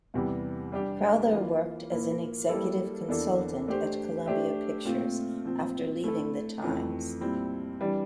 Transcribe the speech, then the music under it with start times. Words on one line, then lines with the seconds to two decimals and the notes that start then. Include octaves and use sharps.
Crowther worked as an executive consultant at Columbia Pictures after leaving the "Times".
0.14 E2 C3 E3 G3
0.72 G3 D4 G4
1.32 E3 A#3 F4
1.91 A#2 F3 A#3 E4
2.49 G3 A#3 E4 A4
3.08 E2 E3 A#3 D4 A4
3.68 A3 D4 G4 C5
4.26 A3 D4 G4 C5 E5
4.85 A#2 A3 C4 F4
5.45 A#2 F3 C4
6.04 A3 E4 A4
6.62 F2 E3 A3
7.21 A#2 G3 C4 E4
7.80 E3 G3 D4